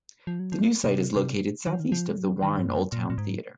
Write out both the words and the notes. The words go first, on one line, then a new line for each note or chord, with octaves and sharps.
The new site is located southeast of the Warren Old Town Theater.
F3
F#3
F3
A#2
C3
C3
D#3
F3
D#3
F3
G#3
F#3
D#3
G#2
F#2
A#2
A#2
G#2